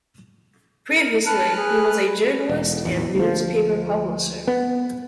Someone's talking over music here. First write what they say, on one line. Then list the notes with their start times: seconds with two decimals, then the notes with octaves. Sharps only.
Previously, he was a journalist and newspaper publisher.
0.95 A#4
1.26 B4 A5 F6 F#6
1.56 G#4
2.49 E1
2.85 A1 E2
3.15 D2 F3
4.48 B3